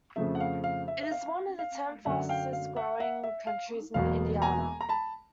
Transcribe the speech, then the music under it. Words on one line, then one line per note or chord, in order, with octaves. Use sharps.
It is one of the ten fastest-growing counties in Indiana.
F2 C#3 F3 A3 E5
F#5
F5
F5
E5
E5
F5
F5
F#2 D3 F#3 E5 F#5
F5 G5
F5
E5 F#5
E5 F#5
E5
F5
E1 E2 B2 F#3 A#3 F5
G#5 A#5
A#5
A5 B5